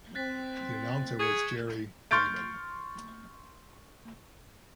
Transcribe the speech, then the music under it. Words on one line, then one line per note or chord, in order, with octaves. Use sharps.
The announcer was Jerry Damon.
C4 F#6 A6 B6
G#4 C#6 G#6 C#7
C6 C#6 F6 G6 A6 D7